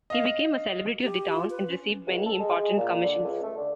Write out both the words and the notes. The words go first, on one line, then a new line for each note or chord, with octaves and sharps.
He became a celebrity of the town, and received many important commissions.
D#5 F5
G4
F4
B4
C#4
C#2
A4
G#3
G#3
A#2
D3
C#2
A3
D3